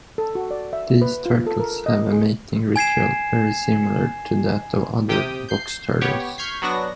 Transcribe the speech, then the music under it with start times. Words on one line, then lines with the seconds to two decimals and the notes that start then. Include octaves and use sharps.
These turtles have a mating ritual very similar to that of other box turtles.
0.18 A4
0.35 F#4
0.51 D5
0.73 E5
1.02 B4
1.26 F4
1.47 A4
1.60 A#4
1.86 D#5
2.13 G#4
2.76 G#5 G#6 C7 E7
5.09 C3 G4 G5 D#6
5.49 G6 C7
6.01 B3 G4 C#5
6.38 C#6 F6 G6 G#6 B6 C7
6.62 F#3 B3 D4 F#4 A#6